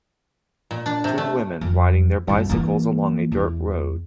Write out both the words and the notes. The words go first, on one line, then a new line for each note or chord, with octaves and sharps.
Two women riding their bicycles along a dirt road.
A#2
D4
C3
A3
F2
C2 F#2
E3 A#3
E2